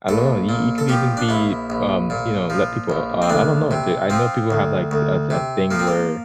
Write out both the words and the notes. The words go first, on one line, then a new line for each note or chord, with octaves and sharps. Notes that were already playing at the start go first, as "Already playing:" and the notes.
I know, you you could even be, um, you know, let people uh, I don't know, I know people have, like, a a thing where
A#1 A4
A#2
A4
F3 G4
D4
A#1 E4
A#1
A#2
F3
A#1
C4
D2 D4
C3
F3 C4
D2
D2
C3
F3 A#3
C4
A#3